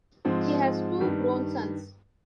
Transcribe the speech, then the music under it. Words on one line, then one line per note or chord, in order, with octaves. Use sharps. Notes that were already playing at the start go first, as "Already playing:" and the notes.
He has two grown sons.
G#2 F3 G#3 C4
G2 D#3 G3